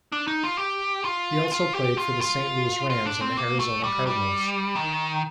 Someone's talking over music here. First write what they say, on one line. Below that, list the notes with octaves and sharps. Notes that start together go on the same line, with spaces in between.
He also played for the Saint Louis Rams and the Arizona Cardinals.
D4
D#4
F4
G4
F4
F4
G4
F4
F4
F4
D4
C4
A#3
A3
G3
G3
D#3